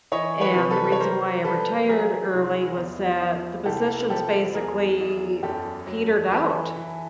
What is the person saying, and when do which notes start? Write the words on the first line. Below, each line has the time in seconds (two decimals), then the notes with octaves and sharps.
and the reason why I retired early was that the positions basically petered out.
0.12 E3 C#5 D#5
0.41 B4 C#5
0.56 C3
0.70 A4 B4
0.92 C#5
1.00 G3 A#4 C5
1.44 G3 A4 B4
1.89 F#3 G#4 A#4
2.33 C2
2.78 E2
3.22 F3
3.65 C2 G4 A4
4.10 F3 G4 A4
4.55 E2 G#4 A#4
4.99 E2
5.43 F#2 G4 A4
5.87 F#3
6.32 E3 A4 B4
6.76 E3